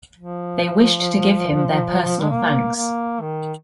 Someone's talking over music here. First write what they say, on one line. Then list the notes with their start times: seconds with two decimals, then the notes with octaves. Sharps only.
They wished to give him their personal thanks.
0.17 F3
2.21 G#3
2.30 A#3
2.75 A#3
3.21 D#3